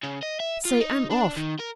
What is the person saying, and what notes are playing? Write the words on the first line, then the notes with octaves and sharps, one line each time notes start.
Say, I'm off!
C#3
D#5
E5
F4
D#4
D4
D#3
A#4